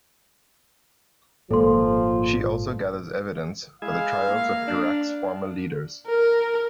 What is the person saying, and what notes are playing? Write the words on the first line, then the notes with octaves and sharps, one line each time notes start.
She also gathers evidence for the trials of Iraq's former leaders.
G#1 A#2 F3 G#3 A4 C6
G#3 E4 G#4 F5
A#3
D4
A#4